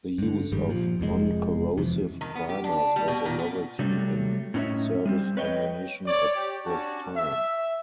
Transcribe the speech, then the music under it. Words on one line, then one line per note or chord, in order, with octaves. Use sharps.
The use of non-corrosive primers was a novelty in service ammunition at this time.
G2 D3
G1 G#2 D#3 G3
A#2 F3
F1 F2 G#2 G#3
F2 C3 E3
D#3
B3
G4
D4
G3
B2
A#2
B3
C3 F#3 G3 A3
A2 C#4 D#4 B4 C#5 E5
G3 B3 C4
B4 C#5 D#5 F#5 G5
C#5 D5
G4
C#4 D4 F#4 D5 A5
E5